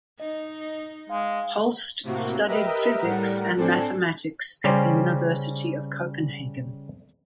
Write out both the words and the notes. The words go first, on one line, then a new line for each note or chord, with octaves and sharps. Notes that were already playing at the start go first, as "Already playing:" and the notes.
Holst studied physics and mathematics at the University of Copenhagen.
D#4 D#5
G#3 F5
A2 C3 A#3 F#4
G4 A#4 B4 D#5 E5
A2 G3 A#4 F#5
A2 C4 D4 A4 G#5 C7
C#3 G3 C#4 G4 C5